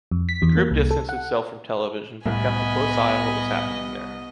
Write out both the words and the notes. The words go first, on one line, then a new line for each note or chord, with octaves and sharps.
The group distanced itself from television but kept a close eye on what was happening there.
F2
B6
E2
A#3
C2
A4
F#5
C2 A2 B3 D#5 G#5 B5